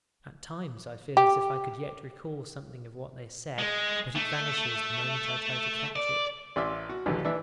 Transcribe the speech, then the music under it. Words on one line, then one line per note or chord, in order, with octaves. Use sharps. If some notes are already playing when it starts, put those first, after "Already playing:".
At times I feel as if I could yet recall something of what they said, but it vanishes the moment I try to catch it.
G4
G#3
A3
D5
A1 D5 E5 C6
F#4
A#1 D#2 D3 E3 F#3
E3 D4 E5